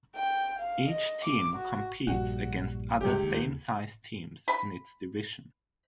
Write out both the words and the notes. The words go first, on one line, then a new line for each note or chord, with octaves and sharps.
Each team competes against other same-sized teams in its division.
G5
F5
D#5
D6
F#4
A#1 G2 F#4
C#2 G2 C3 G4
D#2
B5